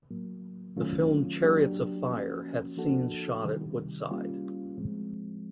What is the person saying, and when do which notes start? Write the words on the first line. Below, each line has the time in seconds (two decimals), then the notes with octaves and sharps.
The film "Chariots of Fire" had scenes shot at Woodside.
0.11 A2 F#3 A#3
0.77 D#3 F#3 A3 C#4 F4
1.44 F#3 A#3 D4 G4
2.11 F3 A#3 C#4 F#4
2.77 F3 A#3 D4 F#4 A4
3.44 C3 D#3 G3
4.11 G3 A#3 C#4 F4
4.77 A2 F3 G#3 C4